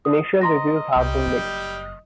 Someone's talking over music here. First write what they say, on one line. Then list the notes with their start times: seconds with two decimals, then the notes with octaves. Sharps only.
Initial reviews have been mixed.
0.05 D#6
0.41 D#5 A#5 C6 A#6
0.96 C2 G3 G5
1.26 F#1